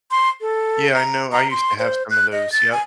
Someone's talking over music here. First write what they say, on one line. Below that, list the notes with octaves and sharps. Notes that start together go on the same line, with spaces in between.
Yeah, I know, I used to have some of those, yup.
C6
A4
A#5
A#5
C6
C5
F#6
D#5
A6
G#5